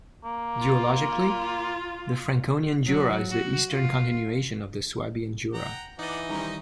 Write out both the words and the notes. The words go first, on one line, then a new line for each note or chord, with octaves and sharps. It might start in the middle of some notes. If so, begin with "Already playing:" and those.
Geologically, the Franconian Jura is the eastern continuation of the Swabian Jura.
A#3
F4
F#3
F#4
F4
F#5 G5 A#5
E3 D4 D#4 D5 D#5 F#5
D#3 G3 C#4 C5 G5 A#5